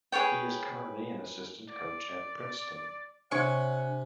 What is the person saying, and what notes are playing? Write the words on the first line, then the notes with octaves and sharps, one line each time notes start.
He is currently an assistant coach at Princeton.
G#4 B4 C#5 G5
D5
C3 D4 C#5 F#5 G#5 C#6